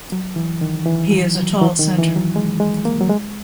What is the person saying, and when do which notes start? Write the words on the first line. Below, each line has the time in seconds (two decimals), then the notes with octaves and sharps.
He is a tall center.
0.12 F#3
0.36 E3
0.61 D#3
0.86 E3
1.11 F#3
1.35 F#3
1.61 E3
1.80 D#3
1.98 E3
2.16 F#3
2.36 G#3
2.60 G#3
2.85 A#3
3.01 F#3
3.09 G#3